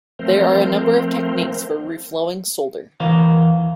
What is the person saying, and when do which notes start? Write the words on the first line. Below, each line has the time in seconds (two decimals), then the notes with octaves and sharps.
There are a number of techniques for reflowing solder.
0.19 F3 A3 C4 A#4 C5
3.00 E2 E3 A#4 C5 F5